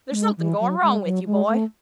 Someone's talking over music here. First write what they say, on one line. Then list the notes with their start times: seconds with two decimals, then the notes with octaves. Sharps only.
There's something going wrong with you, boy.
0.11 A3
0.15 G#3
0.37 E3
0.60 F#3
0.82 G#3
1.04 F#3
1.26 G#3
1.48 A3